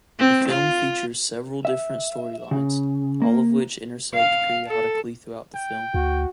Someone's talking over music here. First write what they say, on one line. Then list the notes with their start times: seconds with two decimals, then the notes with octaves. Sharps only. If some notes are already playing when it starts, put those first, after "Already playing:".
The film features several different storylines, all of which intersect periodically throughout the film.
0.19 C4
0.49 F4
1.65 E5
2.51 C#3
3.22 A#3
4.14 F5
4.68 A4
5.55 G5
5.94 D2 F#4